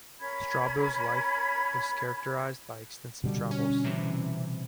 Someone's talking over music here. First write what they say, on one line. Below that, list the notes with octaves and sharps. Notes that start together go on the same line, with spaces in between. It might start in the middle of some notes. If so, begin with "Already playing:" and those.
Strabo's life was characterized by extensive travels.
C#4 A#4 B5 G#6
B2 D3 G3
C#4
C3 E3